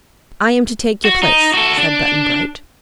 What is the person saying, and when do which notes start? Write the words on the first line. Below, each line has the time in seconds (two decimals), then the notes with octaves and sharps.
"I am to take your place," said Button-Bright.
1.05 F#4
1.23 D#4
1.54 F#4 A4
1.78 D4